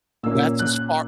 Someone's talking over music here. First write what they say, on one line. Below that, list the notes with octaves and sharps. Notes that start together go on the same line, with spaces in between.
That's as far
A#2 A#3 C#4 E6
F#6